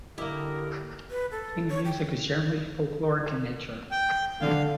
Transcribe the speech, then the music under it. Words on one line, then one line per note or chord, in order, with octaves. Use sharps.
Plena music is generally folkloric in nature.
D3 A#3 E4 G4 A#4 D#5
B4
A4
C#5
G5
G5
D3 F5